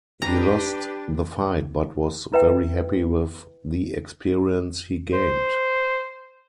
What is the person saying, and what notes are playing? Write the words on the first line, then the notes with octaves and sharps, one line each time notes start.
He lost the fight but was very happy with the experience he gained.
D4 G4 B4 A#5
E4 B4 E5 G5
C5